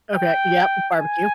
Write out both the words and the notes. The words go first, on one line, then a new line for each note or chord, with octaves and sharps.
Okay. Yep. Barbecue.
G5
G#5